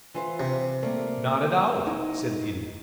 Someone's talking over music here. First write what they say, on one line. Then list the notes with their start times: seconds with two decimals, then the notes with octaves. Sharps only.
"Not at all," said the Idiot.
0.14 E3 F4 C5
0.40 C3
0.82 G3 A3 A#3
1.86 D#4 E4 E5